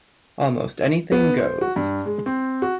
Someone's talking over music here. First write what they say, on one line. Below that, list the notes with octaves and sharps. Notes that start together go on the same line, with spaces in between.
Almost Anything Goes!
B3
C5
F#4
G2
G#3
C4
F#4